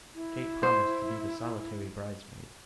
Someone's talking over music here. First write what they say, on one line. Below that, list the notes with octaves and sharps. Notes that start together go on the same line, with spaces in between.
Kate promised to be the solitary bridesmaid.
E4
C5